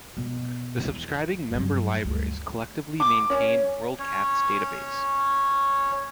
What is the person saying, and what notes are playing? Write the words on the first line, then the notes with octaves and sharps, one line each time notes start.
The subscribing member libraries collectively maintain WorldCat's database.
B2
E2
G2 F#3
D2 G2
D6
C#4
C#4 C#5